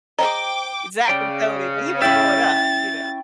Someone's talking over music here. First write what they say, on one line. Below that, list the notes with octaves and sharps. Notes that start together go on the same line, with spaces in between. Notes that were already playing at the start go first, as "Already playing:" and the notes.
Zack and Cody," when he was growing up, you know?
G#4 C5 D#5 G5 A#5 D6
C#3 D5 G5
C#4 E4 E5 G5 A6